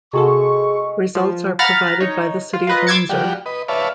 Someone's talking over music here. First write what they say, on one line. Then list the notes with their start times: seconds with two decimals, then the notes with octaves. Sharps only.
Results are provided by the City of Windsor.
0.13 C3 G#3 A3 F#4 G#4 A4 F5 C#6
1.15 F3
1.59 F5 F#5 A#5 B5 F6 A6
2.01 D#4 C#5
2.53 F4
2.67 F4 A#4 B4 D#5
2.87 C6 D6 E6 G#6 A6 C#7
3.10 F3 G3 F#4 G4 D5
3.46 B4 D#5
3.68 B4 C#5 D5 E5 F5 A5